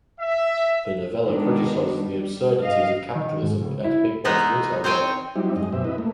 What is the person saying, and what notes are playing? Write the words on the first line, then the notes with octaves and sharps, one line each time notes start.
The novella criticizes the absurdities of capitalism and big box retail work.
E5
D#3 G#3 B3 D4
G3
G2 D#5 F5
D#3
G#2
C#2
E4
E3 G#3 B3 D#4
C4 C5 C#5 G5 G#5
F#3 G3 C4 D#4 E4 G4
F#2 G#3 D#5
F#2 B2 C4 G4 E5
E4 B4 D#5
A3 A#3